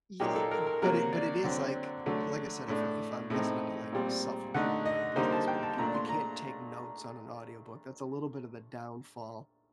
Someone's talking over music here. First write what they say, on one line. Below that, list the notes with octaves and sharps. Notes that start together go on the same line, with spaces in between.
Ye i but it but it is, like, like I said, if I if I'm listening to, like, self-improvement or a business book, you you can't take notes on an audiobook. That's a little bit of a downfall.
A#2 F#3 A#3 D#4 G4
A4
A#4
A#4
C3 F#3 A#3 A#4
D5
D3 F#3 C4
D3 F#3 A3
A2 A3 D4
A2 A3 C4 D#4
A#2 G3 C4
D3 A3 D#4 F#5
D#5
D3 G3 A#3 D#4 C5
A5
G5
A5
A#2 A3 D4 A#5
C6
A#5